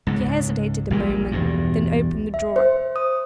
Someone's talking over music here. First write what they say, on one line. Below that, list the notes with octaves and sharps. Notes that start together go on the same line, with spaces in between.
She hesitated a moment, then opened the drawer.
C#2 G#2
A#1 A#2 F3 G#3
B1 E2 G2
E5
C5
D#6